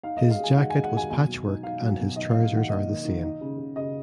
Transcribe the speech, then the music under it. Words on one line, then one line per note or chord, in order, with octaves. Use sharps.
His jacket was patchwork and his trousers are the same.
D#4 F5
G#3 D#5
F5
G#3 G#5
D#3 F#5
G#3 G#5
F#5
D#3 G#5
B2 G#5
F#3
D#4
D#4 F5
F#3
B2
D#3 D#5
F5
A#3
F5
D#3 F#5
A#3 D#5
D#3
D#3
D#4
C#3
C#3
C#3 D#5